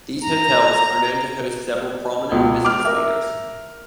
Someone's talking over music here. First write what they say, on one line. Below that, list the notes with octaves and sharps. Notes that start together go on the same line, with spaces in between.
These hotels are also known to host several prominent business leaders.
A#5
C#2 B2
D6 F6
A#4 E5